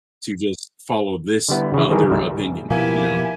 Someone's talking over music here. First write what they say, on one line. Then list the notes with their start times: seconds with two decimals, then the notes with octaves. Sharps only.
to just follow this o other opinion, you know?
1.49 D3 G3 B3 E4
1.74 C#3 E3
1.90 D#3 E3 G3 D4 G#4 A#4
2.10 C#2 G#2 G3 E5
2.71 B2 F3 A#3 B3 E4 G4 G#5